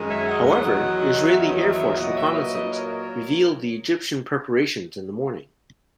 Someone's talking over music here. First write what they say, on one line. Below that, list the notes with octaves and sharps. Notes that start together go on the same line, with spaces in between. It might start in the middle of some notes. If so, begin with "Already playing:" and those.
However, Israeli Air Force reconnaissance revealed the Egyptian preparations in the morning.
Already playing: F#2 D#3 G#3
C#5 E5
D#5 F#5
E2 D#3 F#3 D#5 F#5
C#5 E5
B4 D#5
C#5 E5
A#2 F#3 D#5 F#5
C#5 E5
B4 D#5
B4 D#5
A#4 C#5